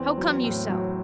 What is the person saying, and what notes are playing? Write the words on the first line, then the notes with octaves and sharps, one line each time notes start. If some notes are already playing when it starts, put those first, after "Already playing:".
How come you so?
Already playing: E2 C4
F#3
A2
F#3